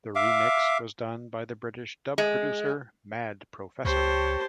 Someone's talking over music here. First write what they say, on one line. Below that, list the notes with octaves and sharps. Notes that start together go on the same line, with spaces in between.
The remix was done by the British dub producer Mad Professor.
E5 F5 D6
G#3
C#2 G4 C5 C#5 A5